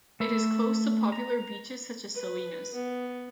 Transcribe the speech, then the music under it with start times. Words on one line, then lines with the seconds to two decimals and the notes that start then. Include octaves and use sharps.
It is close to popular beaches such as Salinas.
0.20 A3 E5 B5
1.12 A#5
2.14 B4
2.74 B3